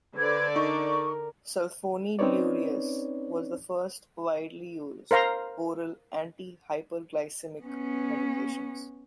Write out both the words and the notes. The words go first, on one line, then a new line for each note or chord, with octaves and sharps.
Sulfonylureas were the first widely used oral anti-hyperglycemic medications.
D3 B4 C5 D5 G#6
D#4 A#4 C#6
C4 C#4 D#4 B4 C#5 D5
A#4 C5 F5 A#5 C6
B3 C#4